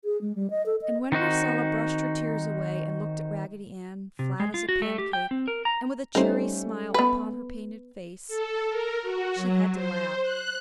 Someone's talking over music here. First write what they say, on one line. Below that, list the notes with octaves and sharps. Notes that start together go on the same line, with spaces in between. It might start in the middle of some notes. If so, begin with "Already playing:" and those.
And when Marcella brushed her tears away and looked at Raggedy Ann, flat as a pancake and with a cheery smile upon her painted face, she had to laugh.
G#4
G#3
G3
D#5
A4
D#5
D#3 C4 D#4 F#4
C3
G#3
F4
F#4
A3
G4
G5
C4
A#4
A#5
G3 A3 C#4 D#4 C5
B3 B4
A4
A#4
F#4
F#3
C5
F#6